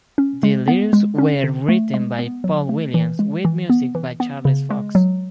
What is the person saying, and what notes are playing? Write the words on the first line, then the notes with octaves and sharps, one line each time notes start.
The lyrics were written by Paul Williams with music by Charles Fox.
C#4
G#3
B3
G#3
C#4
D3
A3
G#3
B3
F#3
A3
E3
G#3
E3
B3
E3
B3
C#3
G#3
F#3